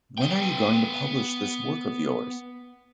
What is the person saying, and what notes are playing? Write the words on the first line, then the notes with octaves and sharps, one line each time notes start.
When are you going to publish this work of yours?
B3 G5